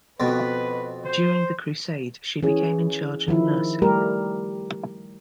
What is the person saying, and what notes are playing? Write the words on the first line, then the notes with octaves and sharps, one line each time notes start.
During the Crusade, she became in charge of nursing.
F2 B2 B4
C5
E3 C#4 G#4
D#3 F3 E4
G3 A3 G4 A#4